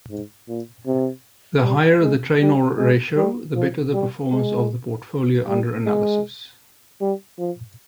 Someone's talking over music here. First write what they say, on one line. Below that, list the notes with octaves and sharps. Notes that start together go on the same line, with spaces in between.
The higher the Treynor ratio, the better the performance of the portfolio under analysis.
G#2
A#2
C3
G3
G#3
G3
G#3
G3
F3
G3
G#3
G3
G#3
G3
F3